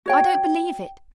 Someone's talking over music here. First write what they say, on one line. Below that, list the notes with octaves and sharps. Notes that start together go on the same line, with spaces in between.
I don't believe it!
F#4 C#5 G5